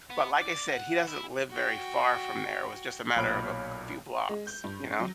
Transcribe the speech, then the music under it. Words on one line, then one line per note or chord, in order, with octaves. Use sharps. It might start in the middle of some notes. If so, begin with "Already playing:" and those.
But like I said, he doesn't live very far from there. It was just a matter of a c few blocks. You know,
B3
D5
F#5
E4
F#4 G5
B1 A#2 C#5 B5 F6 D7
G#3
G6
G2
C#4
F#3